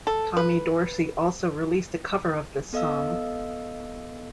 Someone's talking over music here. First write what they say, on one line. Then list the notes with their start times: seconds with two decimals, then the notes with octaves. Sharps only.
Tommy Dorsey also released a cover of this song.
0.07 A4
0.37 B4
2.73 B3 A4 D#5 F5 E6